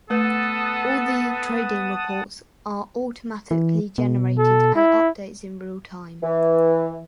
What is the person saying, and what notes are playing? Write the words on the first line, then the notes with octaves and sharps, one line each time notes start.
All the trading reports are automatically generated and updates in real-time.
A3 B3 A4 B4 F#5 A5 D#6
E3
B2
A4
E4
E3